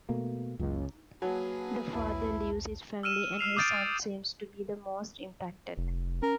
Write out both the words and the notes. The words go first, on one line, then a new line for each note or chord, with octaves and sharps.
The father leaves his family and his son seems to be the most impacted.
B2 A3 A#3
F#1 C#2
F#3 A#3 G#4 B4 F#5 G#5 A5
B1 E2 E4 A5
E6 F6 D#7 E7
E6 F6 C7 F7
D6 D#6 G6 A6 D7
F1
C#4 A#4